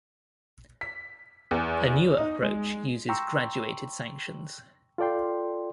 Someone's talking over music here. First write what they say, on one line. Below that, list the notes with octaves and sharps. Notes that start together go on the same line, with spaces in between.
A newer approach uses graduated sanctions.
B6
E2
D#4
G#3
G5 A#5 C6 C#6 E6
F4 A4 D5 G5 C6